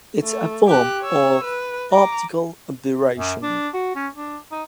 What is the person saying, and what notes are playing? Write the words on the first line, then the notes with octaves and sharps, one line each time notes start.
It is a form of optical aberration.
A3
G4 F#6
C#5 E6
B4
A#5 D6
F#2
D4
F#4
C#4
D4
D#4